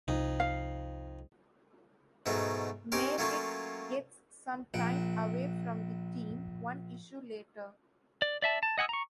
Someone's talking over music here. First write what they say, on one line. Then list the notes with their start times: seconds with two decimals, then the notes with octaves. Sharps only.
Maverick gets some time away from the team one issue later.
0.08 C2 F2 D#4
0.40 F5
2.26 G#2 B2 F#3 A3 D#4
2.92 C4 C#4 D#4 G4 A#4
3.18 F#3 A3 A#3 C#4 F4
4.74 A#1 F#5 G5
8.22 D5
8.42 D5 E5 A5
8.63 A5
8.78 D#5 F#5 G#5 D#6 E6
8.89 A#5 C#6